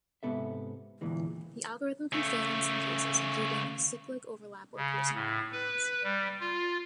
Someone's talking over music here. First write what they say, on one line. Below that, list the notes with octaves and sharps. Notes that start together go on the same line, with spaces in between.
The algorithm can fail in some cases, including cyclic overlap or piercing polygons.
G#2 C3 B3 A4 E5
E2 A#2 D3 E3 G#3
C#3 A3
C#3
A2
B4
G3
F4